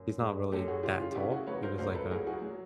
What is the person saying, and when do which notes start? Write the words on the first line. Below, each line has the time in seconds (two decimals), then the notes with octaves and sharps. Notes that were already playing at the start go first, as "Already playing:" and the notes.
he's not really that tall. He was like a
Already playing: F#2
0.20 G#3
0.52 F#2 G4 A4
0.68 F#4 G#4
0.83 C#3 F4 G4
1.00 F4
1.11 G4
1.15 C#3 E4 F#4
1.31 F#4 G#4
1.47 F#3 B4 C#5
1.63 A#4 C5
1.78 C#2 A#4 C5
1.94 A4 B4
2.11 F#3 G#4 A#4
2.26 F#4 G#4
2.42 F#3